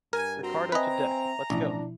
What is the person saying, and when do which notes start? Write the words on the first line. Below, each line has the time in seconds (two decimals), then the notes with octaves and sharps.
Ricardo to deck, let’s go!
0.13 G2 A#4 G#5
0.43 C4 F#4 A#5 C6
0.72 C4 B4 D#5 E5 G#5 A#5
1.50 A1 B2 F3 D4 E4